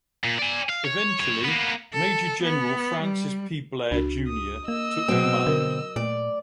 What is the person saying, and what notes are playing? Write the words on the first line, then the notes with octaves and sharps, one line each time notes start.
Eventually Major General Francis P. Blair, Junior took command.
A#2
D5 G#5
F5
C#5
F#2 C#5
A#3 B3
A4
B3
G3
C#2 D4 F#4
D#6
A#3 D#5 E6
B2 F#3 C4 F#4 G#4
D3 A#4
A#2 A3 D5